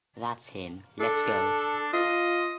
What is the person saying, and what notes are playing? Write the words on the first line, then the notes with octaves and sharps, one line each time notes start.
That’s him. Let’s go.
D4 A4
F4 D#5